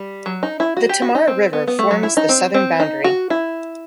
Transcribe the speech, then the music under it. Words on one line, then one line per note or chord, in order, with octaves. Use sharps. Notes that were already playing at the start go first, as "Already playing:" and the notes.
The Tamar River forms the southern boundary.
Already playing: G3
F#3
D#4
E4
F#4
G4
F#4
D#4
C4
B3
B3
A3
F#3
E4
D#4
C4
C4
D#4
F#4
E4